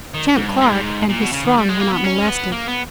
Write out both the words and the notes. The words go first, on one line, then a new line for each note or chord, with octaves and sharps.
Champ Clark and his throng were not molested.
D#3
G#2
G2
G#2
A#2
B2
C#3
D#3
G3
G#3
A#3
B3
C#4
B3
A#3
B3